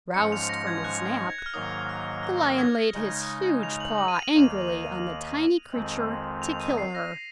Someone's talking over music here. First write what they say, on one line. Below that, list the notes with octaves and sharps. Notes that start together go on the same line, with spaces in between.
Roused from his nap, the Lion laid his huge paw angrily on the tiny creature to kill her.
G#2 F3 G#3 C#4 C#7
F7
A#6
G#6
F#6
G#6
F#6
F6
G#2 D#3 F#3 A#3 D#6
F6
F6
A#6
F#6
G#6
G#6
C#3 G#3 D#4
F7
F#7
F#7
D#7
F7
D#2 D#3 A#3 D#7
F2 D#3 G#3 C4
F7
D#7
C7
A#6